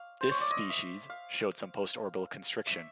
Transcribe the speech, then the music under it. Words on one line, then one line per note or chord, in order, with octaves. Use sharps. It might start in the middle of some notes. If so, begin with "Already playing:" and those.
This species showed some postorbital constriction.
Already playing: F5
C5
C#5
D5
D#5
E5
F5
E5